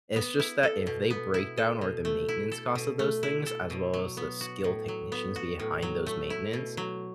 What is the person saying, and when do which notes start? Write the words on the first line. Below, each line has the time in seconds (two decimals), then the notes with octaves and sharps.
it's just that if they break down or the maintenance costs of those things, as well as the skilled technicians behind those maintenance,
0.16 B3
0.40 E4
0.63 A4
0.87 B2
1.10 B3
1.34 E4
1.57 A4
1.81 B2
2.05 A3
2.29 E4
2.52 A4
2.75 B2
2.99 A3
3.23 E4
3.46 A4
3.70 B2
3.94 F#3
4.17 B3
4.41 F#4
4.64 A2
4.88 F#3
5.12 B3
5.36 F#4
5.59 A2
5.82 F#3
6.06 A3
6.30 E4
6.53 B2
6.77 F#3